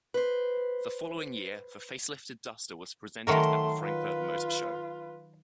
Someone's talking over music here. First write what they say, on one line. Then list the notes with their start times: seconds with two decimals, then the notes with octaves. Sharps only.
The following year, the facelifted Duster was presented at the Frankfurt Motor Show.
0.14 B4 C5
3.27 D#3 F#3 A3 A#4 C6
3.82 F4 B4